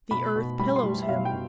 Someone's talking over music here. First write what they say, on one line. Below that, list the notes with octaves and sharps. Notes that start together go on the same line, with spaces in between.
The earth pillows him.
B2 B5
B2
G3 B5
C6
G3
E5
B2 F5
G5
B2